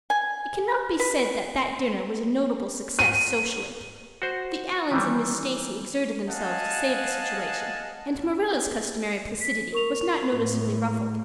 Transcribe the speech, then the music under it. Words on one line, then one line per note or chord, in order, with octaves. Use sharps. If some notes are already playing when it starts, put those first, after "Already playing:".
It cannot be said that that dinner was a notable success socially. The Allans and Miss Stacy exerted themselves to save the situation and Marilla's customary placidity was not noticeably ruffled.
G#5
B4
D#7
F#4 C5
D#3 E3 G3
D#5 F5 F#5 G#5 A5
B6
A#4 C#6 F7
A2